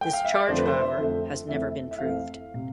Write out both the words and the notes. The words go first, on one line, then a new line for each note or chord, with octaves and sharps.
This charge, however, has never been proved.
G5
F5
E5
D5
F2 D3 F3 A3 C5
B4
C5
E5
F2 D3 F3 A3
F2 E3 A3 C4 E5
E5
F2 E3 A3 C4 F5
C3